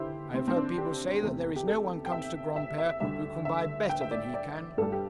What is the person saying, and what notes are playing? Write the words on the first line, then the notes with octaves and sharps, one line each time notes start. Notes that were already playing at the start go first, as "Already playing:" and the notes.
I have heard people say that there is no one comes to Granpere who can buy better than he can.'
Already playing: D3 E4 G4 C5
C4
C4
D4
G4
E2 C3 A3
G4
A4
G5
E5
E5
E5
D2 D3 G3 E5
E5
G5
E5
D5
D5
G2 G3 A4
G4